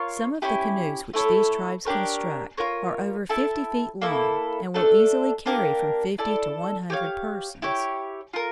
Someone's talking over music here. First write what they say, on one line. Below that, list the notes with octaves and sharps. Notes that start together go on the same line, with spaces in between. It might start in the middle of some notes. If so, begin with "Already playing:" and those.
Some of the canoes which these tribes construct are over fifty feet long and will easily carry from fifty to one hundred persons.
Already playing: F4 A#4 C#5 F5
C#4 E4 G4
A3 E4 A4 C#5
D4 G4 A#4 C#5
F4 A#4 C#5
E4 A4 E5 A5
A#3 E4 A4
A3 D4 A4
A#3 D4 G4 A#4
E4 A4 D5
G4 C#5 F5
E4 G4 C#5 G5
F4 A#4